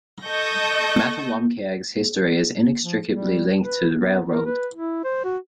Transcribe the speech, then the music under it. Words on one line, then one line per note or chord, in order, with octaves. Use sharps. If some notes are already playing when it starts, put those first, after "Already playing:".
Mattawamkeag's history is inextricably linked to the railroad.
A4 D#5 C#6 G6 A#6
F3
G3
B4
B3
A#4
B4
E4
C5
F#4